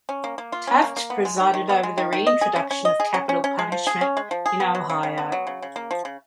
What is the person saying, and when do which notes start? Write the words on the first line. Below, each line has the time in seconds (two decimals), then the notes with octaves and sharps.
Taft presided over the reintroduction of capital punishment in Ohio.
0.09 C#4
0.24 A#3
0.38 A#3
0.52 F4
0.67 C#4
0.82 A#3
0.96 A#3
1.10 B3
1.25 G#3
1.40 D#3
1.54 D#3
1.69 B3
1.83 G#3
1.98 D#3
2.13 D#3
2.27 D#5
2.41 G#4
2.56 C#4
2.71 C#4
2.85 D#5
3.00 G#4
3.14 C#4
3.29 C#4
3.44 C#4
3.59 G#3
3.72 F3
3.87 G#4
4.01 C#4
4.17 G#3
4.31 F3
4.46 G#4
4.60 B3
4.75 F#3
4.89 C#3
5.03 C#3
5.18 B3
5.32 F#3
5.47 C#3
5.62 C#3
5.76 A#3
5.91 F3
6.05 C#3